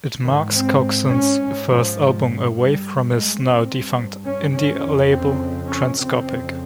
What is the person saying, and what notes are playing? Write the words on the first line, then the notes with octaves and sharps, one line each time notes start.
It marks Coxon's first album away from his now-defunct indie label 'Transcopic'.
G#2 D#3
C4
C#4
G#2
F3
C#3
G2 G3
G#3
C4
G2
C#4
C#4
F2 C#3
C4
C#4
F2 C#3 C4